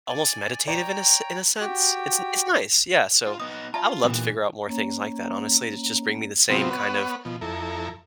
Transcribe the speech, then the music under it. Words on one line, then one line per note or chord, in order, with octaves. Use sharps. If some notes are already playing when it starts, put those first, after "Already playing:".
almost meditative in a in a sense. It's n it's nice, yeah. So, I would love to figure out more things like that, honestly. It's just bringing me the same kind of
D5 G#5
C#5 D5 G5 A#5
F#4 G4 G5
F4
B3 D#4 D#6
F4 D5 E5 A5 A#5
A#2 D3 E3 G3 B3
A#3 C#4 C#5 A#5
C3 F#3 B3 C4 F4 G4
B3 B4 C#5 F#5
B2 F3
F2 E4 A4 A#5